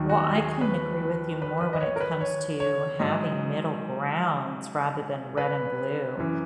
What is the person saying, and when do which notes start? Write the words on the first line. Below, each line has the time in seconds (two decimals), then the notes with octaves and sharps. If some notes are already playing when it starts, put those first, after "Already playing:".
Well, I couldn't agree with you more when it comes to having middle grounds rather than red and blue.
Already playing: D#2 D#3 F#3
0.09 F#4
0.35 G#4
0.61 B4
1.42 B4
1.61 B4
1.73 D#5
1.81 C#5
1.96 A#4
2.00 B4
2.21 C#5
2.60 C#5
2.99 G#2 F#3 D#5
5.38 B4
6.17 F#2 E3